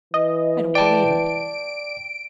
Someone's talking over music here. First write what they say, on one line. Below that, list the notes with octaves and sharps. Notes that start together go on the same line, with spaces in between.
"I don't believe it!"
E3 D#5
D5 G5 A5 D7